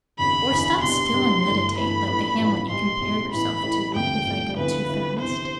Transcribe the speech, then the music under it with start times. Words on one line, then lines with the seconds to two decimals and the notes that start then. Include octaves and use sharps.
Or stop still and meditate, like the Hamlet you compare yourself to, if I go too fast.'
0.19 F1 E2 D3 B5
0.51 F1 E2 D3
0.81 C2 B2 G3 D4 C6
1.13 C2 B2 G3 D4
1.44 G1 G2 E3 A3
1.76 G1 G2 E3 A3 B5
2.07 A1 A2 F3 B3 D4
2.38 A1 A2 F3 B3 D4
2.70 B1 B2 G3 C6
3.01 B1 B2 G3
3.32 A1 A2 E3 B3 B5
3.63 A1 A2 E3 B3
3.94 E1 D2 C3 F3 A3 G5
4.26 E1 D2 C3 F3 A3
4.57 D2 C3 F3 B3 E4 B4
4.89 D2 C3 F3 B3 E4
5.20 D2 C3 E3 B3 C5